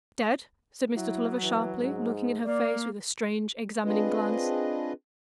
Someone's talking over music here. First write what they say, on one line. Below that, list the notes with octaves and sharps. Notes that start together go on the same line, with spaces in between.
"Dead?" said Mr. Tulliver, sharply, looking in her face with a strange, examining glance.
F#3 E4
E3
G#2
A#3 D5
C4 D4 F4 G#4 B4 D#5